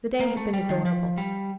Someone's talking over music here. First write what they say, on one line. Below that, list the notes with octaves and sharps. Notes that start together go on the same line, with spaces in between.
The day had been adorable.
A#3
A3
G3
D#3
F3
G3